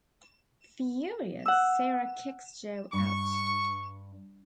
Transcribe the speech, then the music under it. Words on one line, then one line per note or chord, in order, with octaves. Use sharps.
Furious, Sara kicks Joe out.
F#5 E6
G2 C#6